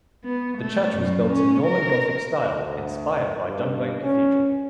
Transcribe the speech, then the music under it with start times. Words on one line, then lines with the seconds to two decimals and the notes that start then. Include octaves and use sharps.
The church was built in Norman Gothic style, inspired by Dunblane Cathedral.
0.24 B3
0.58 A3
0.93 F#2
1.26 C#4
1.66 A#4
2.45 D2
3.46 G2
4.02 C#4